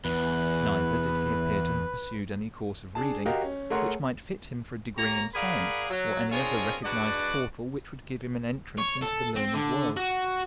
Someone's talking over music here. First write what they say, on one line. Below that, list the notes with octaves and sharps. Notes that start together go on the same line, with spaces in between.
Neither did he appear to have pursued any course of reading which might fit him for a degree in science or any other recognized portal which would give him an entrance into the learned world.
E2 B4
D4 G#4 A5
F#4 G4 A#4 D#5 F5
C#4
A3 G#4 A#4 C#5 F#5 C6
A#3 G4 C#5 A#5
G#4 A#4 D5 F5 F#5 B5
F#3
C4 D4 F4 G#4 A#4 C#5
G#3 D4 F#4 B4 D5
C#5
A4
C4
D3
F#4